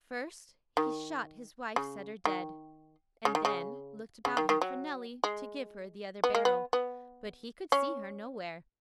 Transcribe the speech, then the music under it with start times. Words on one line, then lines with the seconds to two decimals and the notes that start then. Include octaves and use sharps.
First he shot his wife's setter dead, and then looked about him for Nelly to give her the other barrel, but he could see her nowhere.
0.77 D#3
1.76 C#3
2.25 D#3
3.25 C#3
3.35 D#3
3.45 C#3
4.25 C#3
4.37 D#3
4.49 D#3
4.61 F#3
5.24 G#3
6.24 B3
6.35 A#3
6.45 B3
6.73 B3
7.72 C#4